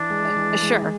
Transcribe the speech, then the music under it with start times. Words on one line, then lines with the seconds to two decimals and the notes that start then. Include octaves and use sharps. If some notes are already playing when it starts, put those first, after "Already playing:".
Eh sure.
Already playing: E3 D4
0.10 G#3
0.37 E3
0.62 G#3